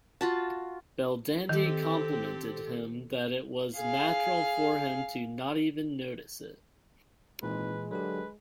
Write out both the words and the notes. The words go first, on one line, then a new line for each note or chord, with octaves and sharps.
Belldandy complimented him that it was natural for him to not even notice it.
F4 F#4 A5
D#3 C4 G4 A4
G#4 F5
G#1 A#2 E3 G#3 B4
D3 F#3 G4 B4